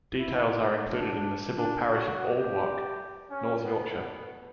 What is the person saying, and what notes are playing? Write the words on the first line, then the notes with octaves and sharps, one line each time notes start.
Details are included in the civil parish of Aldwark, North Yorkshire.
E4
D#4
D4
D4
F#4
G4
C#4
B3
B3